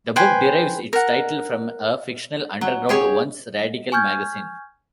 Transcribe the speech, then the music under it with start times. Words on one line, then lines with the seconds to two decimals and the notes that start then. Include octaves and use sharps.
The book derives its title from a fictional "underground" once-radical magazine.
0.16 B4 C5 G5 G#5
0.93 A#4 F#5
2.61 F#3
2.89 G4 G#4 C#5
3.92 G#5 C#6 F6 G6 G#6